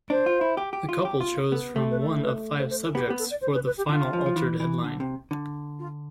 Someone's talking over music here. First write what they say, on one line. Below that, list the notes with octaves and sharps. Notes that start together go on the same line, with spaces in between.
The couple chose from one of five subjects for the final altered headline.
D4 C5
F4
E4
G4
G4
F4
G4
F4
B3 A4
A3 G4
B4
A4
B4
C5
C5
B4
B3 G4
G4
B3
A4
D5
C5
B4
B4
G4
D3 F4
F3
F3
E3
E3
D3
C3
D3
F4